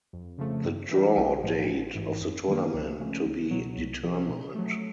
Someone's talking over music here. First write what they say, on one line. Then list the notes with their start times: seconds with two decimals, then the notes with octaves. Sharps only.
The draw date of the tournament to be determined.
0.13 F2
0.38 C#3 F3 A3
0.64 G2
0.91 E3 G3
1.17 B1
1.43 A2 F3
1.69 A1
1.95 G#2 E3
2.22 F#2
2.48 D#3 F#3 A#3
2.74 C#2
2.99 C#3 F3 A3 C#4
3.26 C#2
3.51 B2 F#3
3.78 C2
4.03 C3 F3
4.29 B2
4.55 F#3 A3